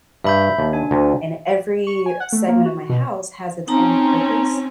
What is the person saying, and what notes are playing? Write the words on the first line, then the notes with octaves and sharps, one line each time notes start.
and every segment of my house has its own purpose,
G2 E5 B5 G6
D#2
D4 G#5
D2
C#6
G#5
F#5
A3
A#3
F#4
B2
C4 C#4 D#4 A5 A#5